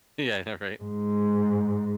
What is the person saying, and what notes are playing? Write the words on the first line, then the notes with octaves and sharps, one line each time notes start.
Yeah, I know, right?
G#2